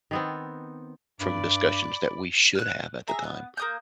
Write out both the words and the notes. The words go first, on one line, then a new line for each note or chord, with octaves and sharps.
from discussions that we should have at the time
D#3 B3 C4
G2 D5 B5 D6
F6 F#6
G#4 E5 A#5
B3
A#3 D#6 G6